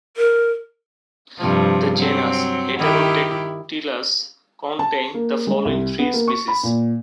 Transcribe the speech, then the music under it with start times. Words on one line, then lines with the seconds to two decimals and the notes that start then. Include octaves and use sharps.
The genus "Heterodactylus" contains the following three species.
0.17 A#4
1.38 G2 C3 F3
1.97 F#3 C4
2.78 D#3 E4 G4
4.79 A5
5.14 A#3
5.47 G#3
5.65 C2
5.99 B3
6.14 A#3
6.27 C#6
6.48 B5
6.63 A#2